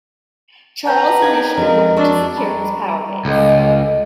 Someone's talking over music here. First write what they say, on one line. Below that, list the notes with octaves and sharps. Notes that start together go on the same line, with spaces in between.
Charles initially worked to secure his power base.
B4 F#5 A5 A#5 G6
D#4 G#4 F5 G5 G#6
F2 G#3 F#4 G#4 A#4 D#5
D4 A5 C#6 E6
G3 A#5 B5
C#2 A4 D#5